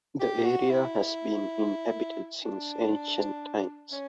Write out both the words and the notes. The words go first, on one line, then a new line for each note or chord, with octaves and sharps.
The area has been inhabited since ancient times.
G4
F#4
E4
D4
C#4